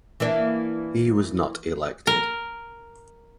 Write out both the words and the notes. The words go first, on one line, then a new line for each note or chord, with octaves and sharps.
He was not elected.
E3 A#3 D4
A#4